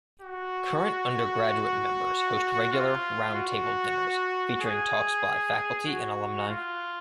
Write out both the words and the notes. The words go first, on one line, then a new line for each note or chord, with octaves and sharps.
Current undergraduate members host regular "Roundtable Dinners" featuring talks by faculty and alumni.
F#4
F4
F#4
G#4
F#4
F4